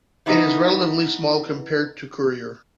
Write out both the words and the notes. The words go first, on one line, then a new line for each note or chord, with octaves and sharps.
It is relatively small compared to Courier.
E3 B3 D#4